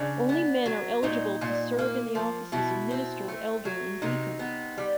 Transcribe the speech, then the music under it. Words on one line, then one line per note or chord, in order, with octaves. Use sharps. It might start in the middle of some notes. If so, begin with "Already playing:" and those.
Only men are eligible to serve in the offices of minister, elder, and deacon.
Already playing: C#3 D4
B3
F#3
A#2 D#4
A#2
A#3
F3
B2 E4
C4
A3
F#3
C3 D#4
B3
G3